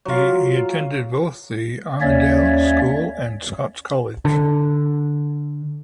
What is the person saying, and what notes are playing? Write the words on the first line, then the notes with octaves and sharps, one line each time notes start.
He attended both The Armidale School and Scots College.
F#3 F4
D#2 A#3 C#4 C#5 D5 E5
D3